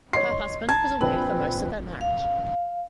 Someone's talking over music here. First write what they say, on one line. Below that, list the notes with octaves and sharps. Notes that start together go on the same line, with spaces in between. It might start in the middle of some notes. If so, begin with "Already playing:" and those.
Her husband was away for most of their marriage.
C#5 D#5 C6 C7
A5 A#5 G#6
A#1 C4 B4 F#7
F5